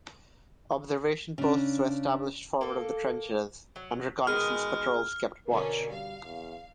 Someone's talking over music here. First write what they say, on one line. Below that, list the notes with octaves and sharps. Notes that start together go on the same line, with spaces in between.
Observation posts were established forward of the trenches and reconnaissance patrols kept watch.
C#3 D4
A#3 A4
F#3
B2 D#3 G#3 G#4 F6
B2 D3 C#4 A#4
G3 F5
E2